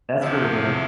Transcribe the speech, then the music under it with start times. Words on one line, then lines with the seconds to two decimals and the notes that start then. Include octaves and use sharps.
that's really good.
0.20 E2 C3 F3 E4